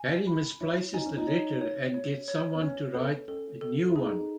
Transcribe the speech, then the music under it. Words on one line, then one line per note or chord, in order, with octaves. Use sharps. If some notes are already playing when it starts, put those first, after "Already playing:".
Hari misplaces the letter and gets someone to write a new one.
Already playing: G#5
B5
E4 C#5
D#4 G#5
C#4
D#4
C#5
C#5
C#5
C#5
B3
C#4 C#5
B3 A4
C#4 A4
A4
E4
D#4 G#4